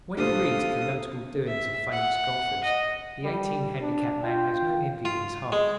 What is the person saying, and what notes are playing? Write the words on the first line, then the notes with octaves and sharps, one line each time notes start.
When he reads of the notable doings of famous golfers, the eighteen-handicap man has no envy in his heart.
G2 A#2 D3 G4 A4 C5 F5 D#6
E5
F#5
D#5
G3
D4
F4 G5
F4
G#3